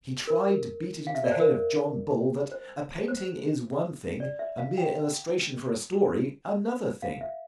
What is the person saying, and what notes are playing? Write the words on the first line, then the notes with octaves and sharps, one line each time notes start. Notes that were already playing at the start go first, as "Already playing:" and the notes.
He tried to beat it into the head of John Bull that a painting is one thing, a mere illustration for a story another thing.
A#4
F5
E5
D5
C5
A#4
C5
C5
D5
E5
F5
G5
F5
E5